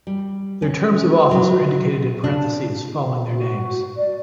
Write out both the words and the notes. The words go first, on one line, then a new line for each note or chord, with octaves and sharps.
Their terms of office are indicated in parenthesis following their names.
G3
C#4
F#3
D4
F#4
D5